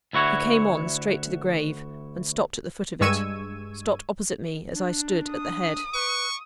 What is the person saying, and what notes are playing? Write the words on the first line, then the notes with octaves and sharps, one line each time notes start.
He came on straight to the grave, and stopped at the foot of it--stopped opposite me, as I stood at the head.
D2 E4 F#4 C#5
G2 G#3 C#6 E6 G#6 D#7
D4
D#6
B4 C#6